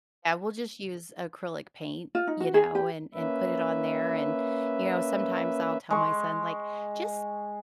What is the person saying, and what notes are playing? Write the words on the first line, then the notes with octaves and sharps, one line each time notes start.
Yeah, we'll just use acrylic paint, you know, and and put it on there, and, you know, sometimes I'll tell my son, like, "Just
F4
D#4
F#4
G#4
G4
A#3 C#4 B4 E5
G#3 C#6